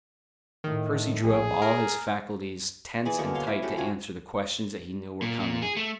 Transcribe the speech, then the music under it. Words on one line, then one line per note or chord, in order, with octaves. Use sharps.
Percy drew up all his faculties tense and tight to answer the questions that he knew were coming.
A2 D#3
A#1 G#4
A#4
E3 G#4 D5 G#5
B2 D3 A#3 C#6
C#5 F5 C6
E4 E5
C#4 F#4 G4 A4
C3 F4 F#4 G#5
A#2
A#2
G#4
A3